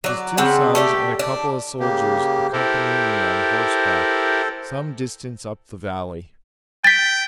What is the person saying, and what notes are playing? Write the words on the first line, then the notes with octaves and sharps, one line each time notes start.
His two sons and a couple of soldiers accompany me on horseback some distance up the valley.
F#3 D5
C#3 C4 D4 F#5
A3 G4 D5
D4
C#3 A#3 G4
E4 G4 A4 A#4 C5
G5 A6 B6